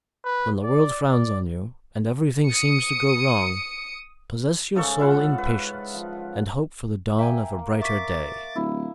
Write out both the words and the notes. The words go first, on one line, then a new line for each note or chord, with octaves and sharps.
When the world frowns on you and everything seems to go wrong, possess your soul in patience and hope for the dawn of a brighter day.
B4
D5
D5
D#6 C#7
G#2 C#3 A4 C#6
E4 F4 F5 F#5
B4
F3
A#3 E5 G5 G#5
E5 C#6 D6 A6 B6
D1 E4